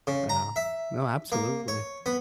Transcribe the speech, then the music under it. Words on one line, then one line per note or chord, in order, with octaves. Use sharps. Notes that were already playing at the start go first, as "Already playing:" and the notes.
Yeah. No, absolutely.
C#3
A#5
E5
A#3
C#5
B3